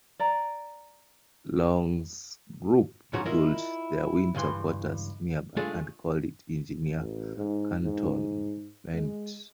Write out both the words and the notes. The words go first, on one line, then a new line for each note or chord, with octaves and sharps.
Long's group built their winter quarters nearby and called it Engineer Cantonment.
D5 A#5
G#2 C#3 F3 F#4 C#5 A#5
E4 F4 A#4 D#5
C#2 G2 E3 C6
G#3 A3 D4 F4 G#4 A4
A1
G#2
G#2
G#3